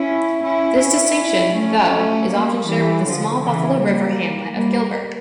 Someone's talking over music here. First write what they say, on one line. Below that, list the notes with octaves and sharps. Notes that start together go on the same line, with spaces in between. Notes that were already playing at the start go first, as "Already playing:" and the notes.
This distinction, though, is often shared with the small Buffalo River hamlet of Gilbert.
Already playing: C#4 E4
C#4 E4
C#4 E4
A3 C#4
G3 A#3
E3 G3
D3 F3
C#3 E3
G3 A#3
G3 A#3